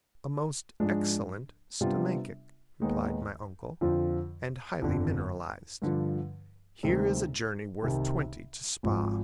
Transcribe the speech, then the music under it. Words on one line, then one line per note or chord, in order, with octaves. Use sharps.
"A most excellent stomachic," replied my uncle, "and highly mineralized. Here is a journey worth twenty to Spa."
G#2 F3 G#3 D4
C3 G3 B3 D4 F4
D#2 D#3 G#3 B3 D#4
F2 D3 F3 C4 F4
G1 F2 D3
G2 D3 F3
D2 C3 D#3 G#3 C4
C2 C3 D#3
G#1 G#2 F3